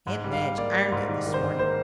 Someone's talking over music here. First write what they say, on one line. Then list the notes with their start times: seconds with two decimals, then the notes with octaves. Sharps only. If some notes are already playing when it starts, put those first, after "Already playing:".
"Aunt Madge ironed it this morning."
0.07 G#2
0.24 G3
0.33 F5
0.41 G3
0.57 A#3 D5
0.74 G3
0.92 G#2
1.08 D#3 D5
1.26 D#3
1.34 C5
1.43 G#2
1.59 A#3 C5